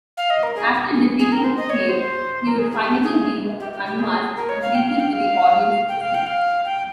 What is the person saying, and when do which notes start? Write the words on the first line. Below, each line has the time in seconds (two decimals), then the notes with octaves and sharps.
After defeating Kane he would finally be unmasked completely for the audience to see.
0.17 F5
0.30 D#5
0.43 A#4
0.55 G#4
0.74 G#4
0.93 G#4
1.19 G#4
1.32 A#4
1.44 C5
1.57 D#5
1.70 C#5
1.89 C5
2.46 A#4
2.59 G#4
2.71 G#4
2.84 G4
3.03 G#4
3.60 G4
3.72 G4
3.85 G4
3.99 G#4
4.36 A#4
4.49 C#5
4.62 F5
4.75 G5
4.87 F5
5.00 G5
5.13 F5
5.88 G5
6.01 F5
6.14 G5
6.27 F5
6.65 G5